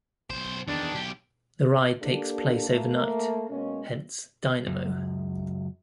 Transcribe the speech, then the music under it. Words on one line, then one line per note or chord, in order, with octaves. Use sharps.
The ride takes place overnight, hence "Dynamo".
B1 C5
E2 D#3 D4
B1 G4
A#3 D4 G4 A4
A3 A#3
B2 G#3 A#3 C#4
C#2 F#2